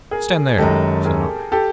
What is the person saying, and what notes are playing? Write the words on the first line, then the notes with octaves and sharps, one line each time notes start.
"Stand there," said I.
G#4 A#4
F#2 D#3 G#3 G4 A4
G#4 A#4
G4 A4